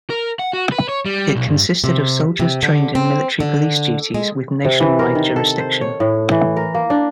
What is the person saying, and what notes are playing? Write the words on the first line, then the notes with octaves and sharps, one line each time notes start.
It consisted of soldiers trained in military police duties with nationwide jurisdiction.
A#4
F#5
F#4
B4
C#5
G3
B1
G2
C3
C3
D3
C4
D3
G#3
C3
E3
A#4
D#3
A4
C5
C#5
A2
E3
A#4
A#3
D4